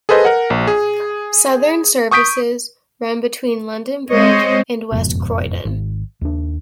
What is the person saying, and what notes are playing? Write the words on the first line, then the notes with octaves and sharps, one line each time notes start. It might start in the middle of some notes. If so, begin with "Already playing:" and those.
Southern services run between London Bridge and West Croydon.
G#4 A4 B4 C5 D#5
A#4 F#5
A#1
G#4
C#6 D#6 G6 B6 D7
G#3 C4 C5 C#5 D#5
F#1 F2 G#2 B2
G#1
D#2 D4